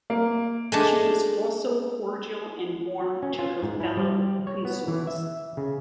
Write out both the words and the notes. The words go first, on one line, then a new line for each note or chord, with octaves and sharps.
She was also cordial and warm to her fellow consorts.
A#3
G#3 A3 D4
C#4
F4
G#2
E4
G3
C#5
B3
E3
E5
C#3